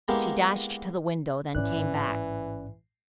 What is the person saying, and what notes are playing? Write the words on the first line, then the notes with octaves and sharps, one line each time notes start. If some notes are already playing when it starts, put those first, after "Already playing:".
She dashed to the window, then came back.
G#3 A#3 B3 E4 G4 A#4
A1 G#2 E3 C#4 D5 F#6